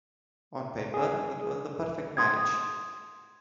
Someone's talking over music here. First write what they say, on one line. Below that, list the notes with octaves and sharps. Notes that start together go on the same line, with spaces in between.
On paper it was the perfect marriage.
G#4
C6 D#6 G#6